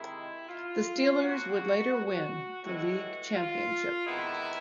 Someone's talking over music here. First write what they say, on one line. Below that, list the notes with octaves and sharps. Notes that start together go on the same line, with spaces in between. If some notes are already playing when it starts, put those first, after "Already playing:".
The Steelers would later win the league championship.
Already playing: C3 D#3 G#3 E4
F4
B2 F#3 A#3 F#4
F#4
A2 E3 G#3 F#4
F4
C3 D#3 G#3 B3 E4